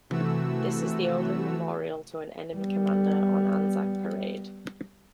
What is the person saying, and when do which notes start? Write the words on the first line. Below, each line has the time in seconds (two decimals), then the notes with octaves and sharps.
This is the only memorial to an enemy commander on Anzac Parade.
0.10 C3 E3 A3 F#4 E6
2.56 G3 B3